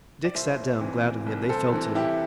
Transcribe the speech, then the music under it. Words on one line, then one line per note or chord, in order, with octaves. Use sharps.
Dick sat down gladly, and they fell to.
D5
C2 C5 E5
C3 E3
C2
A4 C5
C3 E3
E4 G4